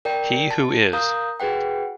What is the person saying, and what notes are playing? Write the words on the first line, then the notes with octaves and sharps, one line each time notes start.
"He Who Is".
A#4 D5 G5
A5
A#4 F5 A#5 D#6 G6
F#4 G#4 B4 F#5 G5